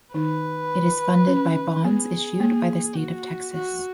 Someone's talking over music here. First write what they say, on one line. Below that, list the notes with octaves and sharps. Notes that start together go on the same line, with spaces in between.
It is funded by bonds issued by the state of Texas.
D#3 D#4 B4
C#4
B3 G#4
A#3
F#4
F#4